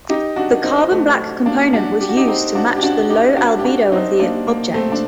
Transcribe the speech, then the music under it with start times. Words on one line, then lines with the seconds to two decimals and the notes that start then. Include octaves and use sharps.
The carbon black component was used to match the low albedo of the object.
0.09 D#4 G4
0.36 D4 F#4
0.64 C4 D#4
0.92 A3
1.46 A#3 D4
1.73 D4 F#4
2.01 G4
2.09 F#4
2.17 D#4 G4
2.28 C4 D#4
2.55 D4 F#4
2.76 G4
2.83 D4 F#4
3.10 D#4 G4
3.37 D4 F#4
3.59 G4
3.65 D4 F#4
3.92 C4 D#4
4.20 A#3 D4
4.47 A#3
4.74 A3 C4
4.92 D4